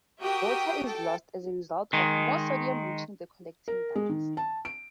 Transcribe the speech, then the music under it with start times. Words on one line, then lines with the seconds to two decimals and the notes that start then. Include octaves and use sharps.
Water is lost as a result of more sodium reaching the collecting ducts.
0.20 F#4 G4 A#4 E5 G5 D#6
0.84 A4 G5
1.93 D#3 G#3
3.68 A#4
3.96 G#3
4.09 D#3
4.37 A5
4.65 D7